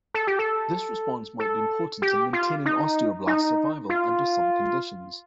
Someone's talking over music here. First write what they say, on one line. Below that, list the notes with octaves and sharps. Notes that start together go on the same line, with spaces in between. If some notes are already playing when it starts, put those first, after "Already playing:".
This response might be important in maintaining osteoblast survival under some conditions.
A4
G4
A4
A4
G4
F4
D#4
D#4
F4